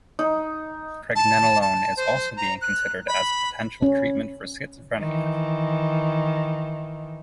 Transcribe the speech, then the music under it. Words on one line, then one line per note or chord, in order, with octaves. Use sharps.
Pregnenolone is also being considered as a potential treatment for schizophrenia.
D#4
A5
A5
C5
A#5
F#6
B5
C#4
D#3 E3